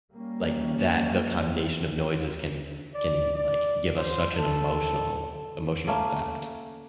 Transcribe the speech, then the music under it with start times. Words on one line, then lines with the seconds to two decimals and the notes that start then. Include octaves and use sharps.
like, that the combination of noises can can, like, give us such an emotional emotional effect.
0.12 G3 A#3 C#4
2.95 D5
3.35 D5
3.96 C5
4.36 A4
5.87 A3 A#3 C#4